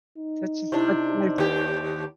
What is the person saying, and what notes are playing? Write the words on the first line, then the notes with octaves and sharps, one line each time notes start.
Such a such a nice
D#4
C3 D4 E4 C#6
D#2 G4